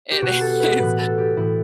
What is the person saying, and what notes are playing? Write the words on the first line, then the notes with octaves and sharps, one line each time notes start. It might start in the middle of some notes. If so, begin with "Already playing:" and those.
it is
G4
B2 F#4
A4
B4
A2 E3 B4
A4
G4
A2 E3 E4